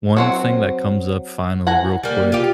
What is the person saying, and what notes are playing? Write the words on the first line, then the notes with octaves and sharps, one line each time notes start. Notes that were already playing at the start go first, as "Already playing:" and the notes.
one thing that comes up finally real quick
F#3 C4 F#5
F#5 G#5 A#5
G3 A#3
F4 G4